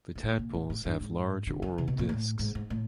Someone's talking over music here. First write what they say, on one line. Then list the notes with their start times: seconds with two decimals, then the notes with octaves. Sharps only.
The tadpoles have large oral discs.
0.15 A2
0.24 A#2
0.39 A#2
0.54 A2
0.70 A2
0.85 G2
1.01 G#2
1.47 D3
1.62 F3
1.78 C3
1.88 B2
1.99 A#2
2.09 A2
2.39 G#2
2.55 G#2
2.70 A2